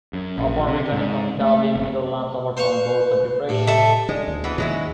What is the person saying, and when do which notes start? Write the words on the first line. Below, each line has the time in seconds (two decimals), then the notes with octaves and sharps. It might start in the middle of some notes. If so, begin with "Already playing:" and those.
Upon returning from Italy, Milholland suffered from bouts of depression.
0.13 F#2
0.38 A#1
0.67 C3
0.92 G#2
1.41 A3
1.76 F#1
2.57 B4 C5 F5 C#6
3.49 A2 G4
3.67 A3 E5
4.09 D3 G#3
4.28 D2
4.44 E3 B3
4.58 D#2 G#2 F#3 G#3 E4